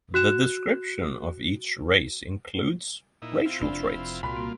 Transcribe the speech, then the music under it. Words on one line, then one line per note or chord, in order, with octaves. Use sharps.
The description of each race includes racial traits.
F#4 F#6 E7
A#2 D#4 E4
C4 E4 F4
F1 D4 B5
C2 A#2 G3 F4 F#4 B5 C6
A#3